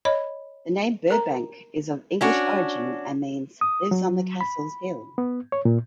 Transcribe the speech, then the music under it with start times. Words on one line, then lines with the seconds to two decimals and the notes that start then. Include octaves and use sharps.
The name Burbank is of English origin and means "lives on the castle's hill".
0.05 C#5 D#5 B5
1.11 A#4 A#5
2.21 C#4 D4 F#4
3.61 D#6
3.91 F#3
4.41 B5
5.18 B3
5.52 C#5
5.65 A#2